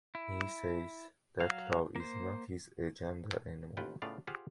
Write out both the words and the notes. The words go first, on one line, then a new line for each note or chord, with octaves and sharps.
He says that love is not his agenda anymore.
E4
F#3 F5
A#3 C5
A1 D#2 F4 B4 F#5 G5
A2 C#3 B3 F4 D5 F5
F4 G4 G#4 C5 F5 F#5